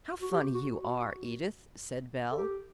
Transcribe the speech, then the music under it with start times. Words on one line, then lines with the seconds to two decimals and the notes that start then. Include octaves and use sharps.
"How funny you are, Edith," said Belle.
0.21 F#4
0.32 G4
0.54 F#4
0.76 F#4
2.32 A4
2.37 G4